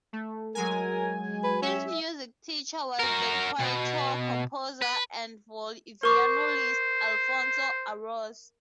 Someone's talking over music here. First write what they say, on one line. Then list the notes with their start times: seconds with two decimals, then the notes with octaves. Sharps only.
His music teacher was the Quito composer and violinist Alfonso Arauz.
0.13 A3
0.55 F#3 G#3 A#4 G#5
1.44 B4
1.62 C#4 E5
3.00 F#4 A#4
3.60 B2
4.82 B4
6.03 A#4 C5 C#6 D6